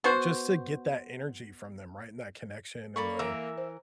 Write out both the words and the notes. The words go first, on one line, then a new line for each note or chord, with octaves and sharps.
just to get that energy from them, right, and that connection and the
B3 F#4 C5
A#3 A4 D5 B5 C#6
E3 A#4 E5
C5